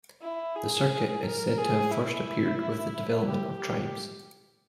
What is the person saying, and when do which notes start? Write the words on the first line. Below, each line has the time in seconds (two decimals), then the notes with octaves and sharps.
This circuit is said to have first appeared with the development of tribes.
0.22 E4
0.55 G#4
1.23 A#4
1.58 G#4
1.91 E4
3.25 G4
3.60 G4